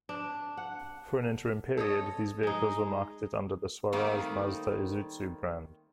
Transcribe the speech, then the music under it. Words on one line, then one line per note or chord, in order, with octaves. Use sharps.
For an interim period, these vehicles were marketed under the Swaraj Mazda Isuzu brand.
D4
F#5
A4 C#5 D#5
G#3 D#4
D#3 G3 A3 A#3 C4 D#4